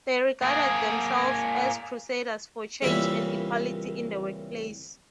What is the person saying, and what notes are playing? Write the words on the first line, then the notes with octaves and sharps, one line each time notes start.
They regarded themselves as crusaders for change and equality in the workplace.
A#3 G#4
C2 A#2 C#3 E3 E5 B5